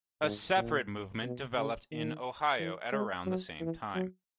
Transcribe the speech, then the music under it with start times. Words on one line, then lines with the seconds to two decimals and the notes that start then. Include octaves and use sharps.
A separate movement developed in Ohio at around the same time.
0.22 G#2
0.56 A#2
1.23 B2
1.57 C#3
1.92 D#3
2.59 E3
2.92 G#3
3.26 F#3
3.61 E3
3.94 F#3